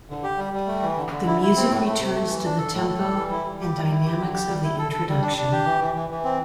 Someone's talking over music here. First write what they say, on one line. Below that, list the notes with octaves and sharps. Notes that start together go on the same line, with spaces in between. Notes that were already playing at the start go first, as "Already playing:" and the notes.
The music returns to the tempo and dynamics of the introduction.
D3
G4
G3
G3
A3
E3
D3
D3
E4
E4
C4
A2
A3
C3
A3
E3
D4
A4
A2
A4
G3
E3
E4
G3
G4
G3
E4
G4
D3
G4
G3
E4
A4
A4
G3
D4
D4
G4
E3
E3
E3
E3
C4